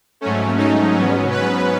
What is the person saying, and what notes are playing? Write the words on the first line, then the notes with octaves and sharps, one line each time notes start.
Can a man do more than that?
G#2 F#3 A3 C#4
D#4
G#2 F#3 B3 C#4
B4